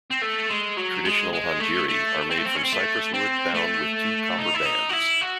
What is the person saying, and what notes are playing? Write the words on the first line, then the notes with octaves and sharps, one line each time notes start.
Traditional "hangiri" are made from cypress wood bound with two copper bands.
C4
A3
G#3
F#3
G#3
G#3
A3
A3
C4
A3
C4
C#4
C4
A3
C4
A3
D#4
E4
D#4
F#4
E4
F#4